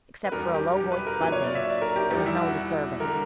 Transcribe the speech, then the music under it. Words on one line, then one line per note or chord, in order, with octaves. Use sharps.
Except for a low- voiced buzzing, there was no disturbance.
B4
E2 B2 G3 A#4
G4
G4
B4
A#4
A#2 F#3 B4
C#5
D5
E5
D5
A#4
G4
E2 B2 G3 G4
E4
F#4
D3 G3 A#4